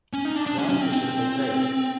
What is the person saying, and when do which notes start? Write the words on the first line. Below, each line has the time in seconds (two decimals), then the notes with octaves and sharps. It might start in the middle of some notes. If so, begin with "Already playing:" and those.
Ryan Fisher played bass.
0.13 C#4
0.25 D#4
0.36 D4
0.47 D4
0.58 C#4
0.69 C#4
0.81 C4
0.93 C4